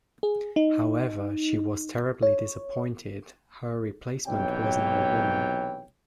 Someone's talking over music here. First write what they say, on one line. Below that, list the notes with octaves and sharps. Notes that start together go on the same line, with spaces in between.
However, she was terribly disappointed her replacement was not a woman.
G#4
D#4
C#5
B1 C3 E3 C#5 G5